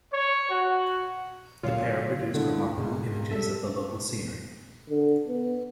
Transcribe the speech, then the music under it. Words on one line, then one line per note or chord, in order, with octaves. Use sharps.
The pair produced remarkable images of the local scenery.
C#5
F#4
D2 A#2 F#3 F4 C#5 F5
D3 A3 E4
C#2 G#2 B2 G#3
G3 A4 E5
D3
B3